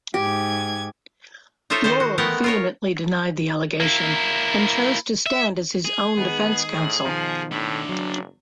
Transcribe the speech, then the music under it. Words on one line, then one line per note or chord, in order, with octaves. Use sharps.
Laurel vehemently denied the allegation and chose to stand as his own defense counsel.
G#2 G4 G#6
D#4 F4 A4 C5 C#5 E5
D#3 D#4 A4 C5
F#4
G#3 A3 B3 A#4 F#5 G5
F4 A#4 C#5
A#3 E4
E5
G#4
D#3 G#3 B3
A2
B2 D#3 F3
A2 D4 E5
F#1 F#3